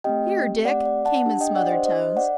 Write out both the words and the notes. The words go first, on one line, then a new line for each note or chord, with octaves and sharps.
"Here, Dick," came in smothered tones.
A3 C4 G4 D#5 G5
D5 F#5
D5
F#5 A5
D4 G4
D#5 G5
D5 F#5
C5 D#5
C5 D#5
D5 F#5